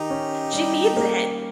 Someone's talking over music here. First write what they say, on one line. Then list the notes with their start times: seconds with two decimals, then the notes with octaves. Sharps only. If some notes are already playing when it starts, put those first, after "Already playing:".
she needs it."
Already playing: D#3 D#4 G4
0.10 C#4
0.53 G3
0.97 A#3